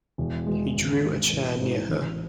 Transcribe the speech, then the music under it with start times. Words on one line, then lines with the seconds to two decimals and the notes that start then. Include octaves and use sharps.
He drew a chair near her.
0.18 E1
0.47 E2 B2 G#3
0.75 G#1
1.04 G#2 G#3
1.33 A1
1.61 G#2 E3
1.89 A1